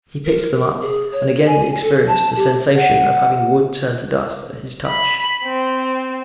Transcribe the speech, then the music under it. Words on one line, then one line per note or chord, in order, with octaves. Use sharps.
He picked them up, and again experienced the sensation of having wood turn to dust at his touch.
A#4
G#4
C#5
G#5
A4
A5
G4
F#5
B5
C4